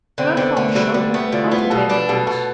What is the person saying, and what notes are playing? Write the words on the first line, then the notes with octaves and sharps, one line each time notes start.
Grandfather showed them how to bait their hooks.
D3 C4
B3
D3 C4
D3 A3
D3 G3
D3 G3
A3 B3
D3 F4
E4
B3 F4
B2 A4
D4 B4
B2 A4
B2 A4